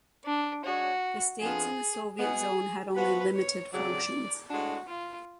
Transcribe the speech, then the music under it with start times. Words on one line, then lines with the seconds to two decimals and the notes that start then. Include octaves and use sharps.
The states in the Soviet zone had only limited functions.
0.25 D4
0.64 G#3 D4 F#4 G#4 C#5
1.41 F2 F3 B3 D4 F4 G#4
2.18 B2 G#3 B3 G#4
2.95 F3 B3 F#4 B4
3.34 C#5
3.73 F2 C#3 F#3 D5
4.50 A2 G#3 D4 F#4
4.88 F4